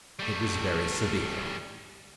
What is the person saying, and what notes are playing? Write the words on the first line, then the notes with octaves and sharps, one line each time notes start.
It was very severe.
G3 A3